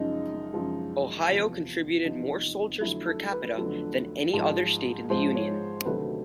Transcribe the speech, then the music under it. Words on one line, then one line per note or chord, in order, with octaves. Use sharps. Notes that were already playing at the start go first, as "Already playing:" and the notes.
Ohio contributed more soldiers per-capita than any other state in the Union.
Already playing: F#2 C#3 F3 G#3 D#4
F#2 C#3 F3 G#3
E2 C3 F3
E2 C3 F3 D#4
F2 D3 F#3 A3 E4
A4
B4
F2 D3 F#3 A3
G#2 F3 G#3
G#2 F3 G#3 C5
C#5
D2 C3 D#3 F#3 A3 B4